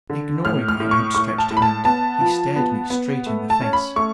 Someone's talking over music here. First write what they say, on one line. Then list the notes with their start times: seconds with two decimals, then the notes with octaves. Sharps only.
Ignoring my outstretched hand, he stared me straight in the face.
0.10 D3
0.45 A2 F6
0.68 F6
0.80 A2
0.91 C#6
1.15 A2 C#6
1.38 A5
1.50 A2
1.57 B5
1.62 A5
1.85 B3 A5
2.21 F3
2.56 B3
2.90 B3
3.26 A3
3.50 A5
3.61 C#4
3.73 B5
3.96 A3 C#6